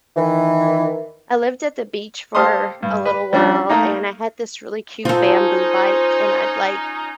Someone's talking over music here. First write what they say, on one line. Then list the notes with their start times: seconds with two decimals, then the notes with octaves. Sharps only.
I lived at the beach for a little while, and I had this really cute bamboo bike, and I'd, like,
0.16 D#3 E3
2.35 G4 A4 C5 F5 C6 D#6
2.83 G2
3.05 B4
3.33 F3 G3 C#4 D4
3.69 A3 A#3 D#4
5.05 C#4 D#4 F4 A4 C5